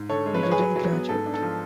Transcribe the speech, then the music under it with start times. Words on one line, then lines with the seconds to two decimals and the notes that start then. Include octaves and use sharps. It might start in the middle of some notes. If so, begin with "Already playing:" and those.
He didn't graduate.
Already playing: G#2
0.09 D3 A4 C#5
0.26 G#3
0.34 B4
0.43 G#3 C#5
0.51 G#4 B4
0.59 F#3
0.76 F#3
0.92 B3
1.09 G#2 A4
1.26 D4
1.34 A4
1.42 F3